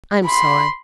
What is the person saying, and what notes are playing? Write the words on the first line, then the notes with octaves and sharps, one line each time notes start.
I'm sorry.
B5 C6